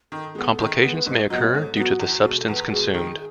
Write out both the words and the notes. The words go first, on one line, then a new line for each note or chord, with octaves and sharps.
Complications may occur due to the substance consumed.
D#3 A4
G#3 B3 A4
D#3 A4
G#3 B3 B4
G#2 D#5
D#5
F#3 B3 D#5
C#5
G#2 A4
F#3 B3 F#4
E2 E4
F#4
B2 G#3 G#4
A4
E2 B4
B2 G#3 G#4
D#3